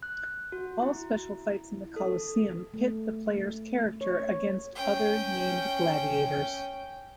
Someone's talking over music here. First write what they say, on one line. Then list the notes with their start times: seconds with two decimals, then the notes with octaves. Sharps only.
All special fights in the Colosseum pit the player's character against other named gladiators.
0.03 F#6
0.52 F#4
0.82 E4
1.96 A4
2.74 A3
4.01 C#5
4.75 C#4 G5